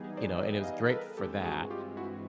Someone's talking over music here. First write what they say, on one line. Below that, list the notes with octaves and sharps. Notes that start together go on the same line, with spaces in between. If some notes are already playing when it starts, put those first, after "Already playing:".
you know, and it was great for that,
Already playing: E3 G3 B3 D#4 G#4
C5 D5
D5 E5
D#5 F5
A#4
A4 B4
G2 E3 G#3 C4 G4 A4
F#4 G#4
F4 G4
E4 F#4